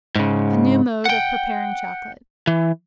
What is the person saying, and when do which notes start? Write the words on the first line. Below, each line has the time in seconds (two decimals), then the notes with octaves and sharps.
A New Mode of Preparing Chocolate.
0.15 G#2 C#3
1.05 F#5 G5
2.47 E3